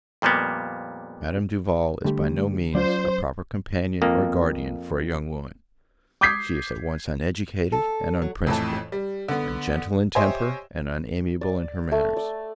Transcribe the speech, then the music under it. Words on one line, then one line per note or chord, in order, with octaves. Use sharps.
Madame Duval is by no means a proper companion or guardian for a young woman: she is at once uneducated and unprincipled; ungentle in temper, and unamiable in her manners.
F2 A#2 G3 A#3 B3
D3 G3 A3 G4
F#3 C#4 F4 C5 D5
F2 A#3
D6 D#6 G6 G#6 B6 C7
A4
F#3
F2 A2 E3 A5
G3
D3 B3
G4 C5 C#5 D#5 E5 G#5
D5
A3
D5